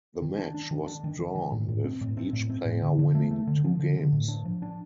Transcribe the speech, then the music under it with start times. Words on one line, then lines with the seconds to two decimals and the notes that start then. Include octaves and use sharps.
The match was drawn with each player winning two games.
0.22 D#3
0.38 D4
0.54 D4
0.71 D#3
0.87 D4
1.04 D#3
1.19 D#3
1.35 D#3
1.52 A2
1.68 A2
1.84 C4
2.01 A2
2.17 C4
2.33 A2
2.50 C4
2.66 A2
2.82 D3
2.99 D3
3.15 A3
3.31 A3
3.47 D3
3.64 F3
3.80 D3
3.97 D3
4.12 A2
4.28 D4
4.45 F3
4.62 D4